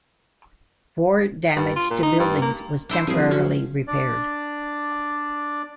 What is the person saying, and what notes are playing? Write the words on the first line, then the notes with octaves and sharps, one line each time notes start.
War damage to buildings was temporarily repaired.
G2
F4
A#2
D#4
G2
A#3
D4 E4 C5
C2 F3 G#4
F#3 C#4
D4 D5